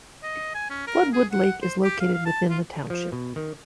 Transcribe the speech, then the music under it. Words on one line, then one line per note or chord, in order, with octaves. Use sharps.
Floodwood Lake is located within the township.
D#5
G#5
C#4
A#4
G#4
F#5
C5
G4
F5
F5
A5
F4
F3
B2
D#3